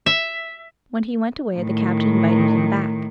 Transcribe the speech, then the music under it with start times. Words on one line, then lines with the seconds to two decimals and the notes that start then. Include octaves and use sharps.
When he went away the Captain invited him back.
0.06 E5
1.55 A2 D#3